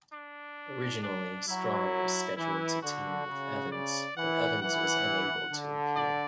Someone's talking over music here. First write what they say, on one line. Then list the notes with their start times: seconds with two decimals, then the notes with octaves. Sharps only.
Originally, Strong was scheduled to team with Evans, but Evans was unable to appear.
0.13 D4
1.03 D4
1.48 F#3 E4
2.37 E3 E4
2.82 D3 F#4
3.27 C#3
3.72 D5
4.17 E3 F#5
4.62 E3 F#5
5.51 D3
5.96 D5